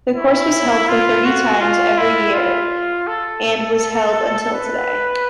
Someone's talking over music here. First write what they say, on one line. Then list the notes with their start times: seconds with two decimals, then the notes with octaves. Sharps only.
The course was held for thirty times every year and was held until today.
0.16 E4
0.88 F4
1.25 F#4
1.61 F4
1.98 E4
2.34 F4
3.07 A4
4.53 B4